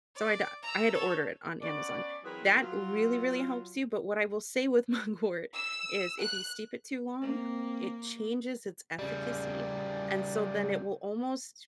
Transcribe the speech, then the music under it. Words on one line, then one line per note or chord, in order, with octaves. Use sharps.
so I had uh I had to order it on Amazon. That really, really helps you, but what I will say with mugwort is, if you steep it too long, it changes its efficacy and so then it will almost
D5
A#5 E6
A4 C#5
B3 C#4 D4 D5
E3 F#3 C4 G#4 A#4 B4
F#3 F4
E6
F#6
A#3 C4
C#3 G3